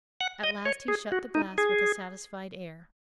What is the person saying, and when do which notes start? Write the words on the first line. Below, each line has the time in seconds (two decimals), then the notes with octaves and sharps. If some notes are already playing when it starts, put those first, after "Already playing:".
At last he shut the glass with a satisfied air.
0.21 F#5
0.44 D#5
0.65 C#5
0.88 G#4
1.12 F#4
1.35 D#4
1.58 G#4